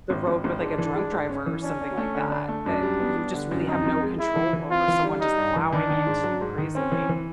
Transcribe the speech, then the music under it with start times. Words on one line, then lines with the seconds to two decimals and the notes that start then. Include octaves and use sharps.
the road with, like, a drunk driver or something like that, that you just really have no control over someone just plowing into you crazily.
0.10 G#1
0.27 G#1
0.44 G#1
0.61 G#2 D4
0.78 E3
0.95 G#3
1.12 G#2
1.29 C#4
1.46 E3
1.63 C#4 D4
1.81 D4
1.98 A3
2.15 D3
2.31 D4
2.49 A3
2.66 F#2 D4
2.83 G3
3.00 B3
3.17 G3
3.34 D3
3.51 F#2
3.68 F2 D#4
3.85 F2
4.02 G#3
4.19 G#3 E4
4.36 E3
4.53 E3
4.70 C4 F4
4.88 E3
5.04 G3
5.21 G3 D#4
5.38 G2
5.56 E3
5.72 D#3 D4
5.90 D#3
6.07 G#2
6.24 F#3
6.41 G#2
6.58 D#3
6.75 C4 C#4
6.92 E3
7.09 E3